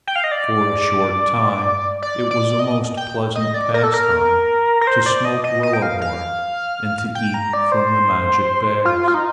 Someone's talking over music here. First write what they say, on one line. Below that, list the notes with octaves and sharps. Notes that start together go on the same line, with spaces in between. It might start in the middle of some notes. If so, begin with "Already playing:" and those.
For a short time it was a most pleasant pastime to smoke willow bark and to eat from the magic bags.
G5
F5
D#5
D5
D5
D5
D#5
G5
D#5
D5
A#4
A4
A#4
A#4
C5
D5
D#5
D#5
D#5
G5
F5
F5
G5
A#5
D5
C5
F4
F4
D#4